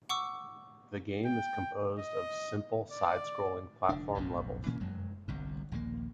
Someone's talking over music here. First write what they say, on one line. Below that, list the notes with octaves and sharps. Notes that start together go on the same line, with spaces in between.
The game is composed of simple side-scrolling platform levels.
F#5 C#6 D6 E6
G5
D#5
D5
F1 D3 D4
F1 B1 F#2 A2
A#2 E3 A#3 C#4
F1 F#2 F#3 G#3
G1 C2 G2
A#1 D#2 D3 A#3